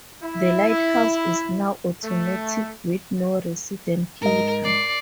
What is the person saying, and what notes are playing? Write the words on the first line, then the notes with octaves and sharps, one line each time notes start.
The lighthouse is now automatic with no resident keeper.
E4
A3
G#2 A#4 D#5
D5 C7